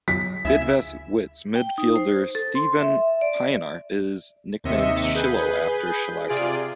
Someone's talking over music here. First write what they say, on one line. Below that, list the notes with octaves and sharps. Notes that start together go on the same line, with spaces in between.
Bidvest Wits midfielder Steven Pienaar is nicknamed "Schillo" after Schillaci.
F#3 B6
D2 C#3 E4 E5
G5
D#4
C5
A4
C6
E5
D5
D#2 C3 D#5 E5 C#7
G#4 B4 G6
C3 F4 G#4 D5 D7